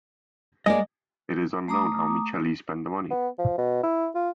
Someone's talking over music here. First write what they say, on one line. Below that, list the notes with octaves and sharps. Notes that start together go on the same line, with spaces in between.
It is unknown how Miceli spent the money.
G#3 A#3 D5 D#5
A3 A#5 D6 D#6
B3
F3
B2
E4
F4